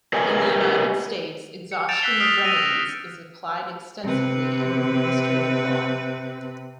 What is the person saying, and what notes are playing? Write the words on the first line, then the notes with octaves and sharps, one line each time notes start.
In the United States, exhaustion of remedies is applied extensively in administrative law.
G4 A#4 B4 C#5 D#5 G#5
C#7
G6 A6 C#7 D7 E7 F7
E6 F#6 B6 C7 G7
D#6 F6 B6 C7 D7 F7
D#6 E6 A#6 B6 D#7 F7
C7
C3 B4